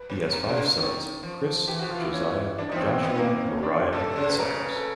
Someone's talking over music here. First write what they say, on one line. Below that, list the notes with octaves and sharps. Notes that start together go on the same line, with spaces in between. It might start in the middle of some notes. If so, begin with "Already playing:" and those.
He has five sons, Kris, Josiah, Joshua, Moriah and Cyrus.
Already playing: B4
C3
C3 A#4
C#3
D3
D#3
F3
E3 G4
F3 F#4
F4
E3
E4
C#4
D#3 D4
F3 D#4
C4
E3 C#4
C4
D#3 B3
A#3
C4
C#4
D4
G4
C3 A4
C#3
B4
C#3 A#4
B4
A4